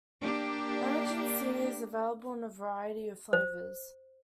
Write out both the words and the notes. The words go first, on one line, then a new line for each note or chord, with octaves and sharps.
Emergen-C is available in a variety of flavors.
A#3 D4 G4
C5